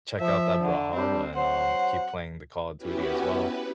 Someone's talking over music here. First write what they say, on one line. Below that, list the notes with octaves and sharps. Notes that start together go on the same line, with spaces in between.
check out that Brawlhalla and, um, keep playing the Call of Duty as well.
F3 E5
D3
G3 C4 D4
F#3 C5 F#5 C6
B3 C#4 E4 F#4 G4 B4
B4